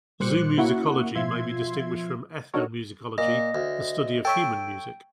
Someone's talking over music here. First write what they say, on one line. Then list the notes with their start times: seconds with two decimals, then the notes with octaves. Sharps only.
Zoomusicology may be distinguished from ethnomusicology, the study of human music.
0.20 A#2 G3 C5 D6 F#6 C#7
0.57 A#3 C#4 E4 F#4 F#5 C#6
1.15 B2 F3 F4 E5 C6 G#6
2.54 D4 D#4 F#4 A4 A#4 C#5
3.18 A#2 D#5
3.55 D2
4.25 A4 C#5 E5 G5